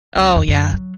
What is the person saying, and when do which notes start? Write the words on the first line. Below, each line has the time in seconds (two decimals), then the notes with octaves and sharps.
Oh, yeah.
0.16 C#2
0.36 F2
0.48 F#2
0.73 F#3